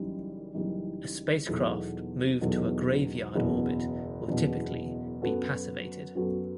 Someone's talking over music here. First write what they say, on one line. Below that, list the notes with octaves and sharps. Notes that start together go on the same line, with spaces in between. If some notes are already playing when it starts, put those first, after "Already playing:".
A spacecraft moved to a graveyard orbit will typically be passivated.
Already playing: F#1 F#2 E3 G3 D#4
F#1 F#2 E3 G3 D#4
E2 B2 F#3 A3 D#4
E2 B2 F#3 A3 D#4
F#1 E2 B2
F#1 E2 B2
F#2 F#3 B3 F#4 A4
F#2 F#3 B3 F#4 A4